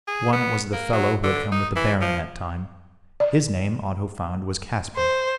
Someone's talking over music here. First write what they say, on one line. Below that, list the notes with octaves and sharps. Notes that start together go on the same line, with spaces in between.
One was the fellow who had come with the Baron that time; his name, Otto found, was Casper.
G#4
B3
A#3
F#3
D3
D#4
E3
F3
D5
C5